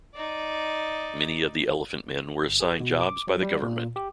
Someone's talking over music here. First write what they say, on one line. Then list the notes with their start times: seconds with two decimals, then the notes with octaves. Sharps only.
Many of the Elephantmen were assigned jobs by the government.
0.15 D#4 D5
2.48 G1
2.60 G#4
2.80 B2
3.01 D6
3.27 F#3
3.43 G3
3.63 A#2
3.96 G4